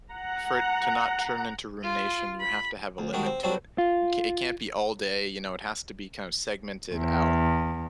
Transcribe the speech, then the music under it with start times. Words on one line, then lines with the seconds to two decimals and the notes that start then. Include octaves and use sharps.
for it to not turn into rumination, you have to have a limit to it. You ca it can't be all day, you know, it has to be kind of segmented out
0.12 F#5 A#5
1.83 F4
2.40 B5
2.98 D2
3.13 D#3 G3 G#3 D4 F#4
3.26 C4
3.43 F#3 G3 C4 D4 E4 F#4
3.78 F4
6.94 E2